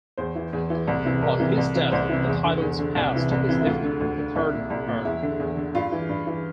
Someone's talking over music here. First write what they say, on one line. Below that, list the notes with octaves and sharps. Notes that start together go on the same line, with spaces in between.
On his death the titles passed to his nephew, the third Earl.
E2 C5
E3
E2
E3
C2
C3 E3
C2 A#4
C3 E3
C2
C3 E3
C2 C5
C3 E3
E2
D3
E2
D3
C2
C3 E3
C2
C3 E3
E4
D2 F4
D3
D2
D3
C2 E4
A#2
C2
A#2
E2 E4
D3
E2
D3
G2 F4
E3
G2
E3